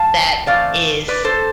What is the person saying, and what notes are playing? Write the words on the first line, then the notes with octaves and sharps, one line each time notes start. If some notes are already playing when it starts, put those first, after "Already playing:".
that is
Already playing: F5 A5
A2 E3 A3 C4 D5 F5
B4 D5
A4 C5